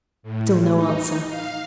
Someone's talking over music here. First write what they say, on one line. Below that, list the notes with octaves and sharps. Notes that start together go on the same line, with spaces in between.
Still no answer.
A2
D#4
F5